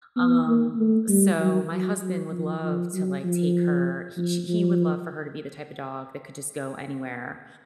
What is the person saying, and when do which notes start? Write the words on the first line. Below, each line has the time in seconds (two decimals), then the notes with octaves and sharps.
Um, so my husband would love to, like, take her he she he would love for her to be the type of dog that could just go anywhere.
0.17 B3
0.47 A#3
0.78 A3
1.09 G3
1.39 F#3
1.71 F#3
2.01 F#3
2.32 F3
2.63 F3
2.94 F#3
3.24 F3
4.17 F3
4.48 F3